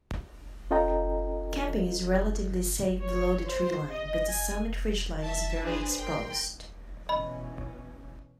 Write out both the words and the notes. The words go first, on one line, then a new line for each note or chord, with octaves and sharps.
Camping is relatively safe below the treeline but the summit ridgeline is very exposed.
C#4 F4 A4 D#5 G5 A#5
C#5
C5
D#5
G#5
E5 A5
D4 G#4 B4 C5
A#4 G5 C6
B2 E3 C#4 D#5 B5